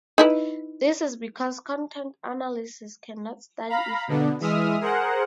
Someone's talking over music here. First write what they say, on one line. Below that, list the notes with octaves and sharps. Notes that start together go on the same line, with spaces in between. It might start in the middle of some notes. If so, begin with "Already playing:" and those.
This is because content analysis cannot study effects.
D#4 E4 B4
F5 A#5 B5
B2 D3 B3 D4
E3 G#3 E5 D#6 F6
G#4 A#4 C5 F#5